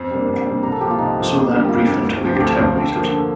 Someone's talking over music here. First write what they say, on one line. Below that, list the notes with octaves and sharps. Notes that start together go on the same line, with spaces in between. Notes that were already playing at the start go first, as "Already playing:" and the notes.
So that brief interview terminated.
Already playing: F2 C5
C3 G3 A#3 D4
F2
C3 G3 A#3 D4
C2 A#4
A4
A#2 F3 G4
F4
C2 D#4
A#2 F3
F2
D3 G3 A#3
F2 F4 G4
D3 G3 A#3
D2
C3 F3
D2 G4 A4
C3 F3
D3
F3 A#3
D3